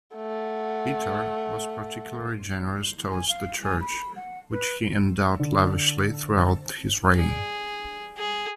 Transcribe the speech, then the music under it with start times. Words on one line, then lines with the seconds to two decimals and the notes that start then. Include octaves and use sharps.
Petar was particularly generous towards the Church, which he endowed lavishly throughout his reign.
0.15 A3 F#5
3.10 G#5
3.28 F5
3.63 G#5
3.80 B5
4.15 F#5
4.51 B4
5.40 D3
7.15 G#4
8.18 G#4